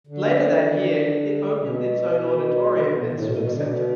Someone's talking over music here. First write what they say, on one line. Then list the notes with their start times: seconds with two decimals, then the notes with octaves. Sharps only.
Later that year, it opened its own auditorium and swim center.
0.07 D3
1.60 B2
3.13 A2
3.20 D3
3.25 B2
3.37 B2
3.51 D3
3.64 B2